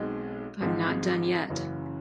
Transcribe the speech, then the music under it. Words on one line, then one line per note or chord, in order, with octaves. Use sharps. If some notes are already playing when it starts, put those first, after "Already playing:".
I'm not done yet.
Already playing: B1 B2 G#3 C4 D#4
G#1 G#2 F3 G#3 C4
F#1 F#2 C#3 E3